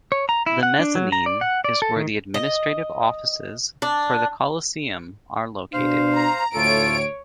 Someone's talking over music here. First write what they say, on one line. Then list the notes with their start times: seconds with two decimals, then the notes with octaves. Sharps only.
The mezzanine is where the administrative offices for the coliseum are located.
0.12 C#5
0.29 A#5
0.46 E4
0.63 F#5
0.79 D4
0.95 F#3
1.12 A#5
1.26 D5
1.41 F#5
1.64 D5
1.82 A4
1.96 D#3
2.34 D#5
3.82 D4
5.73 B2 D4 C5 F5
6.17 A#5
6.54 D2 A2 F4 A4 C#5 D7